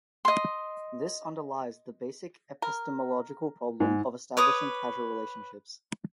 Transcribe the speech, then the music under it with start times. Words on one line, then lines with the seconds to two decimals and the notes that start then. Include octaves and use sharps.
This underlies the basic epistemological problem of establishing causal relationships.
0.25 D#5 C6
2.62 A#4
3.80 G#2
4.37 B4 C#5 D6 D#6